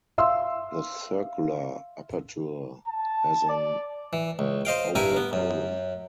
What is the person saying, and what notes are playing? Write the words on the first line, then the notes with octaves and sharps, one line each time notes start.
The circular aperture has an operculum.
E5 F5 C6 E6
A5
D5
E3
C#2
C5 D#5 F5 G5
G2 E4 G4 A#4 G#5
B3
F#2